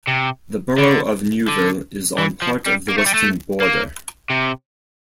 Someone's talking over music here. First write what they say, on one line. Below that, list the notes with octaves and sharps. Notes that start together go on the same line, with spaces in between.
The borough of Newville is on part of the western border.
C3
D3
D3
E3
F3
G3
A#3
A3
G3
A3
A#3
C3